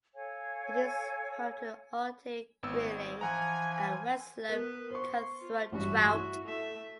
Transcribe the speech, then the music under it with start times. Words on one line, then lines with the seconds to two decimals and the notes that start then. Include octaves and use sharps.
It is home to Arctic grayling and westslope cutthroat trout.
0.15 A4 C#5 F5 G#5
2.63 G#1 B3 E6
3.21 E3 F3 F#5 G#5 A#5
4.49 B3 A#4 B4
4.91 C5 C6 C#6
5.41 F4
5.72 A1 G2 F#4 E5
6.14 E4
6.45 A3 E5